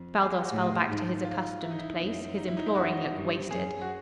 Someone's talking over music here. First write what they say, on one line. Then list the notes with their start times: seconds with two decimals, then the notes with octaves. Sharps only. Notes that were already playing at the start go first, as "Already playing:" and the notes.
Baldos fell back to his accustomed place, his imploring look wasted.
Already playing: F2
0.22 G#4
0.32 G4
0.41 F#4
0.50 A2 F4
0.87 G#2
1.25 F4
1.63 E4
1.71 D#4
1.79 E4
2.00 F#2
2.38 D#4
2.48 E4
2.57 D#4
2.66 E4
2.75 F#2 F#4
3.13 G2
3.51 F#2 G#4
3.81 F#4